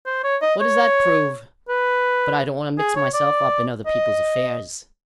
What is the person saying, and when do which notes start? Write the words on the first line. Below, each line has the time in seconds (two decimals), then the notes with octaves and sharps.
"What does that prove?--But I don't want to mix myself up in other people's affairs."
0.06 C5
0.24 C#5
0.42 D#5
0.61 C#5
1.69 B4
2.78 G#4
2.96 C#5
3.14 D5
3.86 D#5